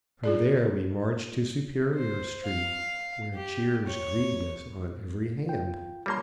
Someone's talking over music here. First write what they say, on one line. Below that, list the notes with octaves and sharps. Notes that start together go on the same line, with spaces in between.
From there we marched to Superior street, where cheers greeted us on every hand.
F4 G#4 D5
C5
F5
G4
C#5
F4 G5
G3 A#3 C#5 A5 C6